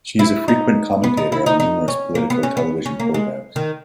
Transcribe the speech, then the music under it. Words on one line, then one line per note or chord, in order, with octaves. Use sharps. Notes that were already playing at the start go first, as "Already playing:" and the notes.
She is a frequent commentator on numerous political television programs.
E4
D#4
B3
D#4
E4
D#4
D#4
C#4
A#3
B3
C#4
B3
C#4
A#3
G#3
D#3